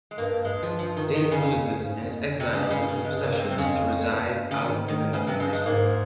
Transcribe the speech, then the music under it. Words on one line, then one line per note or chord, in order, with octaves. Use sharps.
Dave loses, and is exiled with his possessions to reside out in the nothingness.
G#3
G2 A#3
G2 G#3
F3
F3
D#3
D#3
C#3
F2
G2
G#2
F2
C3
G2 C#3
C#3
C#3
G#3
A#3
C4
C3
F2 C#3
G2
C#3
G#2 D#3
D#3
G2 C#3
C3
C#3
G#3
G#2 A#3